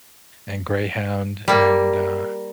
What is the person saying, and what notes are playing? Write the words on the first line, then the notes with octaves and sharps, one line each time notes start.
and Greyhound and, uh,
G3 A#3